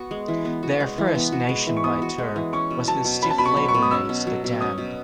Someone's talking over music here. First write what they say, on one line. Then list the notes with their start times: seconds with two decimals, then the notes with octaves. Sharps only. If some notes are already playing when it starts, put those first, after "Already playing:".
Their first nationwide tour was with Stiff labelmates the Damned.
Already playing: B3 F#4
0.11 G#3
0.28 E3
0.45 B3
0.63 F#4
0.80 G#3
0.98 E3
1.15 B3
1.32 F#4
1.49 G#3
1.67 E3
1.77 C#6
1.84 B3 D#6
2.02 F#4
2.18 G#3
2.36 E3
2.53 C#4 C#6
2.70 B2
2.87 F#3 A5
3.05 B2
3.22 C#4 B5
3.30 A5
3.38 B2 B5
3.45 C#6
3.56 F#3
3.68 C#6
3.74 B2
3.82 D#6
3.91 C#4 E6
4.09 B2
4.27 F#3
4.44 B2
4.61 C#4 D#6
4.78 B2